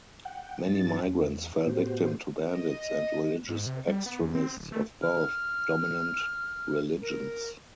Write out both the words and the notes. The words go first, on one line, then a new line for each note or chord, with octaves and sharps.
Many migrants fell victim to bandits and religious extremists of both dominant religions.
F#5 G5
G2 F#3 D#4 A6
E2
A2 B3 F#4 G4 C5
D#5
G#2
C3
G3
B3
E2
C4
D1
A3
F6
A#4